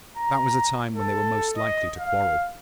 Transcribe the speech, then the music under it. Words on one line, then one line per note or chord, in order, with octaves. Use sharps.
That was the time when they were most likely to quarrel.
A#5
A4
D#5
F5